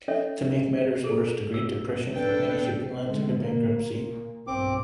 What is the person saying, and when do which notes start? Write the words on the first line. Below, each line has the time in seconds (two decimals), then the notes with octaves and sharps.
To make matters worse, the Great Depression put many shipping lines into bankruptcy.
0.08 C#4 A4 C#5 D#5 E5
1.04 G#4 A4
1.54 E6
2.14 D4 A4 B4 G5
3.03 D3 G#3
3.42 A#3
3.78 A#2 A#3
4.47 B1 G2 C4 D6